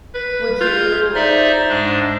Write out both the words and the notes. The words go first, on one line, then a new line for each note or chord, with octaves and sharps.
Would you
B4
F4 G6 G#6
D#4 C5 D5 E5
G#2 G#3 D4